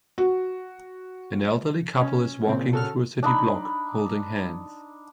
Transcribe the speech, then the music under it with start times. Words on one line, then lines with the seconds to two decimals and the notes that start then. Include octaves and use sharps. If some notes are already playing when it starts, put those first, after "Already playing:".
An elderly couple is walking through a city block, holding hands.
0.18 F#4
2.01 C#4
2.47 A#2 C#3 C4
2.73 C#3 F#4 A4 F6
3.23 D4 D#4 B5